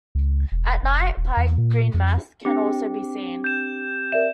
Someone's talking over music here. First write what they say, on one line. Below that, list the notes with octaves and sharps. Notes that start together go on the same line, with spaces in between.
At night, Pye Green mast can also be seen.
C#2
E1
F1
D#1
E2
A#2
F2
C4 D4 G4
G6 E7
A#4 D5 E5 E7